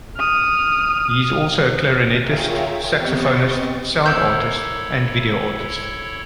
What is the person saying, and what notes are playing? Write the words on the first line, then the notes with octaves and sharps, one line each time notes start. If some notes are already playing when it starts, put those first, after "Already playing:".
He is also a clarinetist, saxophonist, sound artist, and video artist.
D#6 F6
F4 G#4 A#4 C#5 E5 G5
B3 C4 G4 D#5 C#6 A6
A#3 E4 A4 C#5 E5 G6